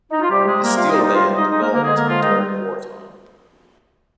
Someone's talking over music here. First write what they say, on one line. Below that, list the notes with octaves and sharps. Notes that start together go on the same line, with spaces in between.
The steelband developed during wartime.
D#4
F4
C3 G3 G4
G#3 G#4
G3
A#3 A#4
C3 F4 F5
D#4 D#5
D5
G3 D#4 D#5
F4 F5
G#3
D#4 D#5
G#3 D#4 D#5
A#3 A#4
D3 A#3 A#4
G#3 G#4
G#3 A#3 A#4
F3 F4
D#3 G3 D#4